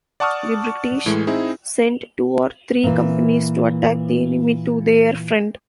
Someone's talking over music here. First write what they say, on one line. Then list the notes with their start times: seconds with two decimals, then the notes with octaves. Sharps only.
The British sent two or three companies to attack the enemy to their front.
0.20 D5 F#5 A5 C#6 D#6 F6
1.06 A2 E3 G#3 A3
1.27 C4 D#4 E4 G#4
2.83 A#2 E3